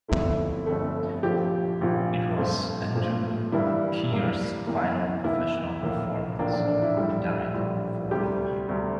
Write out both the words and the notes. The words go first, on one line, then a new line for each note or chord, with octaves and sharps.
It was Andrew Keir's final professional performance; he died the following year.
G1 F2 D3 A3 E4
G1 F2 D3 A3
A#1 A#2 F3 G4
A#1 A#2 F3
G2 F3 A3 C4 F4
G2 F3 A3 C4
G2 E3 G3 A#3 E4
G2 E3 G3 A#3
E2 C3 E3 A#3
E2 C3 E3 A#3 E4
A#1 A2 E3 A#3
A#1 A2 E3 A#3 D4
D4
D4
E4
A#1 A2 G3
A#1 A2 G3
D2 C3 G3 G4
D2 C3 G3